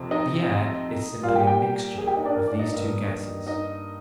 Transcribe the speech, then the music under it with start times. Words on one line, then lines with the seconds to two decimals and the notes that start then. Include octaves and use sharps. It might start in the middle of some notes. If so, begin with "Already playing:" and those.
The air is simply a mixture of these two gases.
Already playing: F2 C3 C4
0.11 D#4 D#5
1.23 A#2 G3 A#3 F4 F5
1.36 G4 G5
1.47 G4 G5
1.97 G#4 G#5
2.07 G4 G5
2.17 D#4 D#5
2.25 D4 D5
2.35 A#3 A#4
2.47 D4 D5
2.59 D#4 D#5
2.73 G2 D#3 A#3
3.47 D#4 D#5